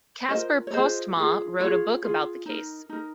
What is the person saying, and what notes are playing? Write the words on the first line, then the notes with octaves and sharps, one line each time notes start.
Casper Postmaa wrote a book about the case.
F4 A#4 C5 D#5
C#5
F4 G#4 C5 D#5
F4 G#4
F4 G#4 C#5
F4 G#4
D#4 A#4
D#4 A#4